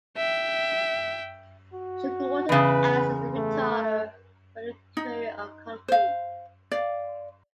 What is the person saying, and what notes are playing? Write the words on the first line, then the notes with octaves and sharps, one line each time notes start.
Sugar water acts as a retarder for the curing of concrete.
E5 G5
F#4
E2 C#3 B4
A3
D#4
C5 F5
D5 F5